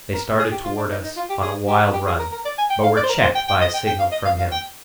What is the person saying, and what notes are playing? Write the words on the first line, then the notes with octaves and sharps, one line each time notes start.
They started toward us on a wild run, but were checked by a signal from him.
A#4
G#4
G4
F4
D4
D#4
D#4
F4
G4
G#4
G4
G4
G#4
A#4
A#4
D5
G#5
G5
F5
D5
C5
A#4
C5
G5
G5
D#5
G5
G5
F5
D#5
F5
F5
G5